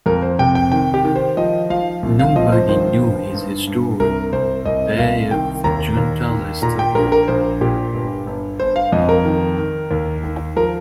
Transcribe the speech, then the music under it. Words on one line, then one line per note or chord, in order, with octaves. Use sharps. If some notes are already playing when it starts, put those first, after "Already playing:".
Nobody knew his history, they of the Junta least of all.
F2 A#4
C5
C3 G5
G5
D#3 G5
G4
D#3
C5
F3 D#5
F3 F5
C2
F5
F3 D#5
C5
D#3 C5
G1
G2
G2
C2 A#4
C2 C5
C2 D#5
C2 F5
D#3 G5
D#2 A#5
D#2
D#3
A#2 A#5
G5
A#1 A#4
A#4
A#1 C5
A#2 G4
G1
G1
G1 C5
F5
F2 D#5
A#4
D#3
D#3
D#2
D#3
F3 A#4